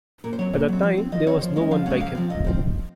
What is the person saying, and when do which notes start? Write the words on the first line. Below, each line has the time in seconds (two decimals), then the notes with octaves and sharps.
At the time, there was no one like him.
0.24 A#2 A#4
0.33 C5
0.39 F#3 C4 C#5
0.53 A#2
0.68 F#3 C4
0.83 F3
0.98 C4
1.12 F3 D#5
1.27 C4 C#5
1.41 F3 C5
1.56 G#3 C#4 D#5
1.71 F3 F5
1.86 G#3 C#4 F#5
2.00 C3 F5
2.15 F3 C4
2.30 C3 D#5
2.44 F3 C4 C5